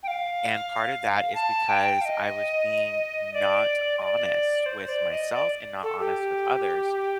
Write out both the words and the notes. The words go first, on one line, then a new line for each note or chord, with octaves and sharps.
and part of that is because I was being not honest with myself and not honest with others,
G5
F5
A5
G5
F5
D#5
D5
D#5
D5
C5
D5
D#5
D5
A4
G4